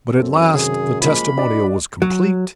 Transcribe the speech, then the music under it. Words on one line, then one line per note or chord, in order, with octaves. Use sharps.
But at last the "testimonial" was complete.
F#2 C4 A4
C3 D#3 G#4
F3 G#3 A#3 B5
D4 F#4 D5 D#5
F#3